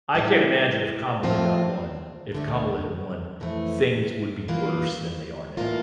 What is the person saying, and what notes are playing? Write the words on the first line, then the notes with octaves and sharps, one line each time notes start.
I can't imagine if Kamala got won. If Kamala had won, things would be worse than they are now.
A2 E3 G3
A2 F3 C4 F4
D2 D3 A3
F2 E3 A3
E3 A#3 F4
A2 E3 A#3 F4